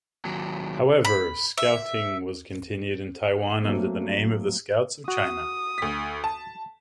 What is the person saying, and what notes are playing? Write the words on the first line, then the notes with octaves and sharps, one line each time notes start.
However, Scouting has continued in Taiwan under the name of the Scouts of China.
D#2 F#3
B5
E5
F#3 A3 A#3 C4
F#4 D#6
D2 B6
A5